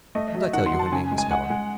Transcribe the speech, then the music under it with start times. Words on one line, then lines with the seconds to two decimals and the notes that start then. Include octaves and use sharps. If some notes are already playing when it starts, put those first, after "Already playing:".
Didn't I tell you her name was Helen?
0.15 A3 D#5
0.28 D#5
0.34 F#3
0.41 E5
0.53 D#3 F#5
0.66 C6
0.73 F#3
0.79 A5
0.92 C#3 G#5
1.11 G#3
1.18 G#5
1.31 G#3 F#5
1.50 G#3